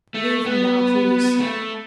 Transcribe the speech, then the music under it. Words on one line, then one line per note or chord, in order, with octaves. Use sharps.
Leave me now, please.
A3
B3
A3